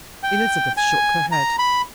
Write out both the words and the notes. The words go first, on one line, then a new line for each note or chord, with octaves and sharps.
Elizabeth shook her head.
G5
G#5
A#5
B5